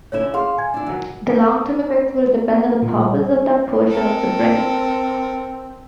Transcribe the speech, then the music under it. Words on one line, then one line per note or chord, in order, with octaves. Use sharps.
The long-term effects will depend on the purpose of that portion of the brain.
D3 C#4 E4 C#5 E7
G#4 F5 C6
G#5 G#6
D4 E4
D#3 F#3
B3
A#2
G3
C4 A4 A#4